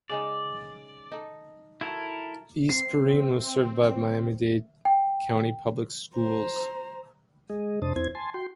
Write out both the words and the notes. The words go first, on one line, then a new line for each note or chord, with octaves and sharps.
East Perrine was served by Miami-Dade County Public Schools.
C#3 G#3 D#4 D5
D#4 A4
E4 F#4 A4 A#4
C4 C7
G5
C5 A#5
G#3 G#4 D#5
F2 C3 D4 C5 A5 D#6
E2 C4 E4 C5 G#6
G#5 A5 C6
F#4 G5 C6